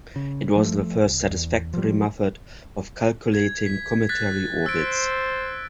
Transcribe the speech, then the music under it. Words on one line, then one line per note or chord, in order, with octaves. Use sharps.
It was the first satisfactory method of calculating cometary orbits.
C#3
F3 G3 A3
C2
E2
F3 G3
G#6
B6
F#6 A6 B6
C5 E6 D7